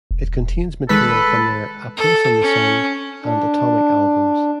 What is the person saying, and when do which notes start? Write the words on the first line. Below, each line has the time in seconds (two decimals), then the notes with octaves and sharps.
It contains material from their "A Place in the Sun" and "Atomic" albums.
0.11 E1
0.89 D#3 G#3 A4 B4 B5 B6
1.97 A4
2.41 C#4
3.23 D4